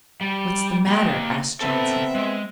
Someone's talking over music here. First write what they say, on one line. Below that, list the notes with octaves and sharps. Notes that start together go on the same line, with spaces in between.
"What's the matter?" asked Johnson.
G3
A#3 G4
B3 C4 A4 B4 E5
G#3